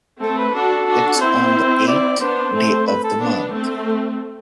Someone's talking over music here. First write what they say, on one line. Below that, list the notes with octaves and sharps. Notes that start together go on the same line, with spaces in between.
It's on the eighth day of the month.
A3 C4 A4
B4
D4 F#4 A4
D4 F#4
C4 E4 C5
D5
B3 D4 C5
A3 C4
B4
A4
B3 D4
A3 C4